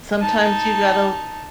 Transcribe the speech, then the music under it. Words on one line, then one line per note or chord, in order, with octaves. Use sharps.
Sometimes you gotta
D#4 A5